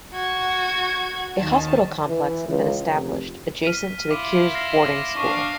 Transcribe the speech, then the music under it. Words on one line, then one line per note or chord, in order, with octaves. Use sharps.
A hospital complex has been established adjacent to the Kyrgyz boarding school.
F#4 G#6
D#2 D#3 A5
E3
C#2
F1
F6 B6 D#7
E4 F4 D6
F6 A#6 C7
D4 F5 C#6